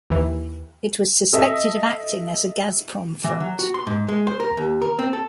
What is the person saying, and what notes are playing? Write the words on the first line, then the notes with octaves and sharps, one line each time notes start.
It was suspected of acting as a Gazprom front.
D#2 E3
A4 D#5 E5
E3
F#3
F#4
C6
G#2
G#3
C5
A#4
D#2
A#4
C4
A4